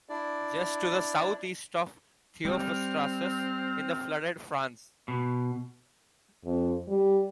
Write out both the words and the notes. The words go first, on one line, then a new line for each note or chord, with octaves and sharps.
Just to the southeast of Theophrastus is the flooded Franz.
D4 E4 D5
G3 C4 F6
B2
F2
G3